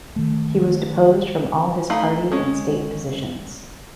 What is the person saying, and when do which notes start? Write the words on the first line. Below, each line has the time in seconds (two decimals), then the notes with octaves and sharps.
He was deposed from all his party and state positions.
0.16 D#3 A3
1.90 A3 D#4 F5 B5
2.32 G#3 C#4